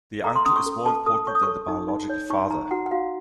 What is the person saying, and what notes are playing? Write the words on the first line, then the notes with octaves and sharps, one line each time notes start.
The uncle is more important than the biological father.
A4 A#5
C6
C#4 D#6
C#6
A4
A4 A5
A4 D#6
C#5 C#6
D#6
A4 C#6
D#4
D#4
C#5
D#4 C#6
D#4 A#5
F#4 F#5
F#5
F#4 F5